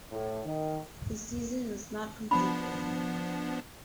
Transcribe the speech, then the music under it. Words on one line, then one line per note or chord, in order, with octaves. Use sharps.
The season was not completed.
A2
D#3
F3 B3 D4 B5